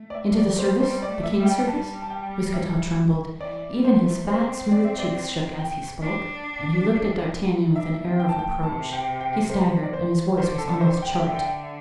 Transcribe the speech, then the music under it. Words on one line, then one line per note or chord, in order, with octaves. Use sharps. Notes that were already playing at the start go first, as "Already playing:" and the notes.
"Into the service--the king's service?" Mousqueton trembled; even his fat, smooth cheeks shook as he spoke, and he looked at D'Artagnan with an air of reproach; he staggered, and his voice was almost choked.
Already playing: A3
D5
E5
D5
C5
G3 C5
D5
A3
E5
G3
G5
G3 A5
A5
G5
E5
E3 D5
G3
C5
A3
C4 C5
D5
E5
D5
G5
D4
E5
D4 E5
C4
G5
A5
A3 G5
C3 A5
G5
G5
C5
D5
C5
D3 C5
A4
C5
G5
E5
D3 G5
G5
E5